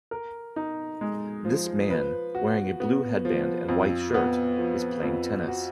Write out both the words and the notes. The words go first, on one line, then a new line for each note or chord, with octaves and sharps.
This man, wearing a blue headband and white shirt, is playing tennis.
A#4
D#4
G#3
F3
B4
F#4
B3
F3
F2
B3
F3
F2
F#4